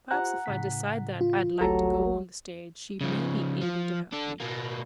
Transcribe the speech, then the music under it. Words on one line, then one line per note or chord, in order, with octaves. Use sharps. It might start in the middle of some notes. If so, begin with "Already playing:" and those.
Perhaps if I decide that I'd like to go on the stage, she may be able to help me.
F4 G4 C5 F#5 A#5 F#6
A2 C#3 B6
F4
G1 C#2 F#3 A3 G4 A4 A#5
C#3 F3
F3
D4 A4
B2 A#3